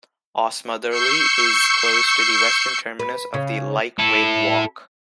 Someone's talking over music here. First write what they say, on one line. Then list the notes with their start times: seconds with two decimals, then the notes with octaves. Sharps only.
Osmotherley is close to the western terminus of the Lyke Wake Walk.
0.89 C#6 E6 G6 C7 C#7
2.99 B4
3.34 C#3
3.99 E4 A4